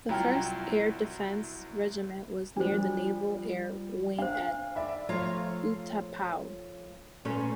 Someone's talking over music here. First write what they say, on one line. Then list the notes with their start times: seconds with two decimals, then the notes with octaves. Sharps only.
The First Air Defence Regiment was near the Naval Air Wing at Utapao.
0.09 C2 F#3 E4 F4 G5 A#5
2.57 F3 G3 D4 C5
4.18 D4 C5 F5
4.75 D5 E5 B5
5.09 F3 A3 F4 C#5 F5 A#5
7.25 A#2 A3 C#4 B4 C5 A#5